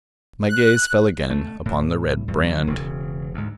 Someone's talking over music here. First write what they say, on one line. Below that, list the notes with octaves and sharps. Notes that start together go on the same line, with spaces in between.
My gaze fell again upon the red brand.
F#6
A3
A2
E2 G2
D3 E3 F#3
E1 C#3
D2 G#2